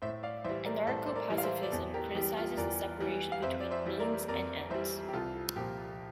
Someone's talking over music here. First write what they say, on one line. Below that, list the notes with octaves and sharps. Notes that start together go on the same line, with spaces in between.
Anarcho-pacifism criticizes the separation between means and ends.
A2 C5 E5
D5 F5
E3 G3 C5 E5
A#4 D5
A2 A4 C5
C5
A#4 D5
E3 G3
F5
C5 E5
D5
E2 A4 C5
G4 A#4
E3 G3 G4
F4
E2 A#4 D5
E3 G3
F5
F2 C5 E5
D5
C5 E5
E3 G3
A#4 D5
F2 A#4 D5
E3 G3 C5 E5
G4
C2 F4 A4
A#2 F3 G4